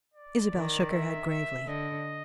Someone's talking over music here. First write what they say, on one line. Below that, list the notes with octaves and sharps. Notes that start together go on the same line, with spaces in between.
Isabel shook her head gravely.
D5
D#3
E5
E5
D3 D#5